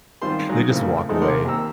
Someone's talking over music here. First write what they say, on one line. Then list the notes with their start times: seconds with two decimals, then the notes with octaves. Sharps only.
They just walk away,
0.22 G#1 D#3 G3 F4 C5 C6
0.49 F#3 G#3 D#4
0.69 A2 C#3 A#3 C4 A4
1.09 F3 G#3 A3 D#4 A4 D#5
1.22 C2 F3 A#4 F#5 C6 D6
1.44 D#2 A#3 C4 G4 A#5 E6